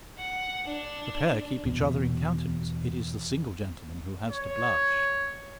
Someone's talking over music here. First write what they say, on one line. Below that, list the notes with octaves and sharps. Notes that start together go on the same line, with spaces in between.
A pair keep each other in countenance; it is the single gentleman who has to blush.
F#5
D4
E2 B2
C#5